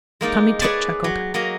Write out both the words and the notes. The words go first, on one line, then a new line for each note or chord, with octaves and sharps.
Tommy Tit chuckled.
G#3 A#3 D#4 D5
G#4 B4 C#5 D5 G#5 A5
F#3
F#3 A#3 D#5 A#5